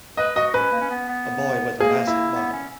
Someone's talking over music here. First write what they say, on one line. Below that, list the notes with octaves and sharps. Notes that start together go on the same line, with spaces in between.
A boy with a basketball.
B4 D#5
F#4 D#5
C#4 B4
A#3
C#4
B3
B3
A#3 G#4
E4
B3
C#4